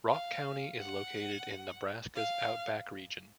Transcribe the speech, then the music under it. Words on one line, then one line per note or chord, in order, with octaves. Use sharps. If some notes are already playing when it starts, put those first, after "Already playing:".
Rock County is located in Nebraska's Outback region.
F5
F#5
F5